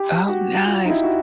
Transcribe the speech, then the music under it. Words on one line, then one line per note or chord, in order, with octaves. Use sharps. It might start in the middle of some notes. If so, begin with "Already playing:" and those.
Oh, nice.
Already playing: G4
F#4
F4
D#4
E4
F#4